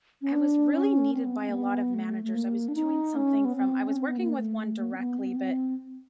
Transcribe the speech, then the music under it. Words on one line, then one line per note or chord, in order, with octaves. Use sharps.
I was really needed by a lot of managers. I was doing something from I was working with one directly, but,
C#4
D4
C#4
C4
B3
C4
A#3
B3
A3
A3
A#3
D4
D#4
C#4
B3
C4
C#4
C4
B3
A#3
A3
A#3
C4
B3
C4
B3
C4